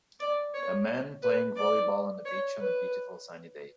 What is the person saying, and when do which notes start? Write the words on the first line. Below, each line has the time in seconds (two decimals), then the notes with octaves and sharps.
A man playing volleyball on a beach on a beautiful sunny day.
0.20 D5
0.54 C#5
1.23 B4
1.56 D5
2.25 C#5
2.59 B4